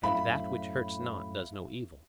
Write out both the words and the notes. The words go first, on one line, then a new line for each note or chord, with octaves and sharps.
And that which hurts not does no evil?
F#2 A2 E5 F5 B5